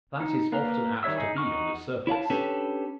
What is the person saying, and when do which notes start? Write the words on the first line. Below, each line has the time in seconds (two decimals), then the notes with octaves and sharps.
That is often apt to be on the surface.
0.20 D#4
0.52 A#3 B4 F5 A#5
1.03 D#3 G3 C#5 E5 E6
1.18 D#4 G#4
1.37 D#4 F#4 C#6 F6
2.07 E4 C#5 F5 A5
2.30 C#4 D4 G4 A4 B4 C#5